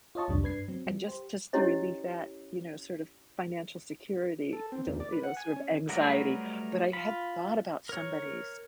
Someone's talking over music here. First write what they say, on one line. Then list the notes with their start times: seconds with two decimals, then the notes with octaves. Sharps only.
And just just to relieve that, you know, sort of financial security, dil you know, sort of anxiety, but I hadn't thought about somebody's
0.15 F4 C#5 D#5 A5 C#6
0.28 C2 F2 G#2 C3 G3 D4
0.42 G2 D4 B4 G#6 C7
0.68 F#3 C4
0.87 G3
1.06 G4 C5
1.53 C#4 E4 G4 C#5 D#5
4.53 A4
4.72 C4
4.87 D#2
5.00 D5
5.12 B4
5.23 F#5
5.37 G#5
5.56 C#4
5.89 F#3 G3 A3 A#4 B4
6.93 F4 B5
7.89 A#4 C#5